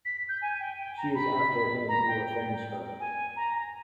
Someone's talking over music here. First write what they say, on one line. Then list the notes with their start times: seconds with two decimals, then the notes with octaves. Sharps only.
She is after him who offends her.
0.05 B6
0.29 G6
0.42 G#5
0.60 G5
0.79 G5
0.97 A#5
1.15 B5
1.88 A#5
2.08 G5
3.00 G#5
3.36 A#5
3.55 A#5